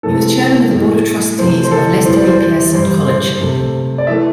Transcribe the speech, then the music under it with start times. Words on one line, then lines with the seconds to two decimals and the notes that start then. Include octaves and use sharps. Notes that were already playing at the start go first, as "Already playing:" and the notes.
He was Chairman of the Board of Trustees of Lester B. Pearson College.
0.03 C3 E3 A3 A4
0.70 A2 A3
1.38 C3 E3 A3 C5
1.64 C5
1.71 A4
2.05 E2 E3 G3 C5
2.16 D5
2.27 C5
2.73 G2 G3 C5
3.07 C5
3.40 C3 A3
3.98 D5
4.07 E3 A3 E5